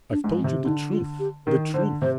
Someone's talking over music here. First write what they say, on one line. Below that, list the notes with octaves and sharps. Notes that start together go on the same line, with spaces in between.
I've told you the truth, the truth.
D4
G#2
C4
C3
D3 D#4
F4
G4
D#3 A#4
D3 C5
C3 C5